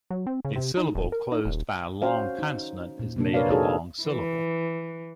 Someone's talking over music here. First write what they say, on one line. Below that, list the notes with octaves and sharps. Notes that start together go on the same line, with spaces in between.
A syllable closed by a long consonant is made a long syllable.
F#3
C4
C#3
C3
D#4
D#1
A#4
D#4
D#1
C#4 F#4 C5 F5
D#4
A#2
C3 A#3 D4
A#4 B4 C#5 D5 F5
D#4 F#4 G#4 A4 B4 C#5
E3